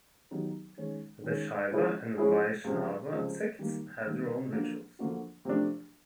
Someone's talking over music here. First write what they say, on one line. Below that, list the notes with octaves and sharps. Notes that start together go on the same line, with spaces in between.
The Shaiva and Vaishnava sects have their own rituals.
D#3 F#3 B3 D#4 G4
D#3 G#3 C#4
D#3 G#3 C#4
F3 G#3 C#4 E4 G#4
F3 G#3 C#4 E4 G#4
C#2 C3 F3
C#2 C3 F3
D#3 G3 A#3
D#3 G3 A#3
D3 F3 A#3 D4 F#4
D3 F3 A#3 D4 F#4
C3 F3 A3 D4